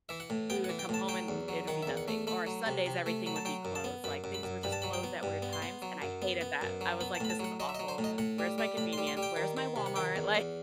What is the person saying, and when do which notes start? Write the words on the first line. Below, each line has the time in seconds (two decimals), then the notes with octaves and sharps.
we would come home and it would be nothing, or Sundays, everything would be closed, like things were just closed at weird times, and I hated that, I was like, "This is awful. Where's my convenience? Where's my Walmart?" Like
0.09 E3 E5
0.20 F#5
0.30 A2
0.50 B3 G5
0.64 F#5
0.69 E3
0.79 G5
0.89 A2 A5
1.08 F#3 G5
1.28 E2
1.48 F#3
1.68 D#3 F#5
1.83 E5
1.87 E2
1.97 F#5
2.08 A3
2.27 A3 B5
2.47 F#3
2.66 C3
2.86 C3
3.06 A3
3.26 F#3 B5
3.36 A5
3.45 F#3 G5
3.65 F#2
3.75 A5
3.84 B3
4.04 F#2 B5
4.24 F#2
4.34 B5
4.43 F#2
4.63 G2 B5
4.72 A5
4.82 F#3 B5
4.93 G5
5.04 B3
5.23 G2
5.42 B3
5.53 C6
5.62 B3
5.82 F#3
6.02 F#2
6.22 B3
6.41 B3
6.61 F#2
6.81 F#3
7.01 B3 B5
7.15 A5
7.20 A2 B5
7.30 A5
7.40 F#3 F#5
7.60 F#3 D#5
7.69 E5
7.75 D#5
7.79 F#3
7.88 C5
7.98 A2
8.04 D#5
8.18 A2 F#5
8.39 G3
8.58 G3
8.77 A2 B5
8.93 C6
8.98 G3
9.07 C6
9.17 G3
9.23 G5
9.36 D#3
9.57 D#3
9.76 C3
9.86 F#5
9.96 D#3 G5
10.16 E2
10.35 E2